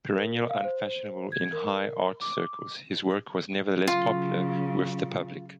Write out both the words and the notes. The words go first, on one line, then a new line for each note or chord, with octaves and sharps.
Perennially unfashionable in high art circles, his work was nevertheless popular with the public.
A#4
F5
C5
G#6
A#4
D6
C#3 F#3 F4